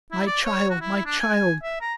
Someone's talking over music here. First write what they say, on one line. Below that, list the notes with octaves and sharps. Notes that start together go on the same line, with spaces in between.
'My child, my child!
E4
D5
C#5
F#4
E4
D4
G#5
E5
A#5